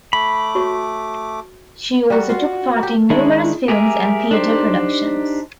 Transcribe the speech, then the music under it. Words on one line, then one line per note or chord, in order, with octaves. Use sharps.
She also took part in numerous films and theater productions.
A3 B5 D6
F#4 C#5 C#6
G3 F#4
F4 F#4
G4
D#3 G#3 D4 E4
G4 G#4 A#4 C5 E5
D4 D#4 G4 C5